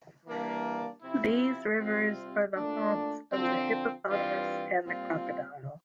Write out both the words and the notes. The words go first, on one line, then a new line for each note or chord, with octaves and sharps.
These rivers are the haunts of the hippopotamus and the crocodile.
E3 G3 A#3 D4
C3 F3 C4 E4
C3 G3 C4 F4
A#2 A3 D4
D3 F3 C4
G2 E3 G3 C4 F4
A#2 G3 C4 F4